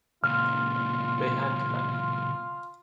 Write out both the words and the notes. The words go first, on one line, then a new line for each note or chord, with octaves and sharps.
They had to ban him.
C#2 A#2 F4 F6